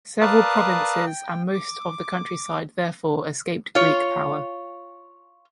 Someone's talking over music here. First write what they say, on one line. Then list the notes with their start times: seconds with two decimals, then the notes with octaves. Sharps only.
Several provinces and most of the countryside therefore escaped Greek power.
0.21 A#4 B4 D5 F5 A5 D#6
1.07 G5
1.54 D6
3.75 F4 C#5